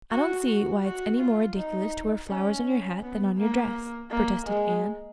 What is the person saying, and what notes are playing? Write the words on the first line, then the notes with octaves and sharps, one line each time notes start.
"I don't see why it's any more ridiculous to wear flowers on your hat than on your dress," protested Anne.
F#4
F#4
F#4
F4
D#4
C#4
B3
A#3
A#3
G#3